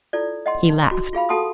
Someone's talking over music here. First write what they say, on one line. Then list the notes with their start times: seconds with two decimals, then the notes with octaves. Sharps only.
He laughed.
0.13 E4 F4 A4 D5
0.46 D#5 F#5 C6
0.69 D#4
0.91 F#4
1.13 F4 G#4 F5 B5
1.29 F#4 A4 F#5 A5 C6 D#6